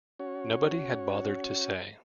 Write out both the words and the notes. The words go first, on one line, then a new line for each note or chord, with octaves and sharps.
Nobody had bothered to say.
C#4 F#4 C#5